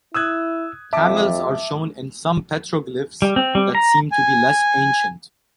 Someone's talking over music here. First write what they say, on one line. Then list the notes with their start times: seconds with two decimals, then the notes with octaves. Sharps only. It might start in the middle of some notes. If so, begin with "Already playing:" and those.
Camels are shown in some petroglyphs that seem to be less ancient.
0.14 E4 D#6 E6 F#6 G#6
0.93 F2 E5 A5 D6
3.22 G3
3.36 C4
3.55 G3
3.75 A#5
4.12 G#5